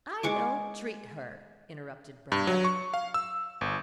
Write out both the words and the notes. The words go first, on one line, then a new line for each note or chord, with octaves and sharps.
"I don't treat her," interrupted Brenda.
G#3 C#6 D6
G2
F#3
C#6
F5
E6
G1